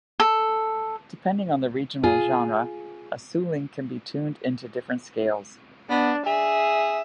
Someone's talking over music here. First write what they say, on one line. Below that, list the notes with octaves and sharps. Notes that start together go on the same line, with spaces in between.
Depending on the regional genre, a suling can be tuned into different scales.
A4
F4 G#4
B3 D4
G#4 E5